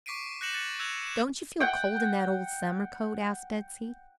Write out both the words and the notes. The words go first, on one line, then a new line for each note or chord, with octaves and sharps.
"Don't you feel cold in that old summer coat?" asked Betsey.
C#6 D6 B6 C7 D7 D#7
F#6 G6 A#6 C#7 E7 F#7
F#6 A6 C#7
E6 F#6 G#6 A#6 F7
E7
F#5 G5